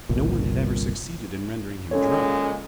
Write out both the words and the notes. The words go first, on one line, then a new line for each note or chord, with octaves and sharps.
No one had ever succeeded in rendering him drunk.
G1 C2 A#2
A#2 C#3 G#3 C#4 A4 C#5